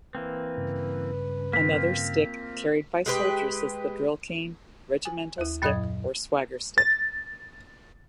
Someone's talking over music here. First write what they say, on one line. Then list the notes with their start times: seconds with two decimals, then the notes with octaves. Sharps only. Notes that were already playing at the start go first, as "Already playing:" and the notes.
Another stick carried by soldiers is the drill cane, regimental stick or swagger stick.
0.15 E3 A#3 C4 B4
0.58 G2 C#3
1.53 A#3 C4 F4 B6
3.06 G#3 G4 B4
5.05 G#5
5.38 D#2 E4
5.62 F#2 A#2 F#3 D#5 D#6 G#6
6.78 A6